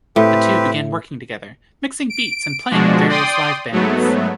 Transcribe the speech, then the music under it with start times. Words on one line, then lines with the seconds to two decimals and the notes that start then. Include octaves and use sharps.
The two began working together, mixing beats and playing in various live bands.
0.16 A2 C4 G4 B4
2.10 D7
2.71 B2 F3 G#3 D4 F#4
3.09 D5 G5 C6 D#6
3.71 G#2 F#3 A3 B3